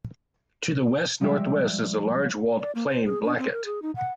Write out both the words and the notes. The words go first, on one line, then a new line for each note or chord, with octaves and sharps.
To the west-northwest is the large walled plain Blackett.
F3 G3 G#3 F4 G4 E5
D5
A#3
C5
G#4
D4
C4
A#4
G#4
D#4
F#5